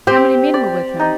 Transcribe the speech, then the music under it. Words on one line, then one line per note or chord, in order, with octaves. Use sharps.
'How many men were with him?'
C4 G4
D5
D#4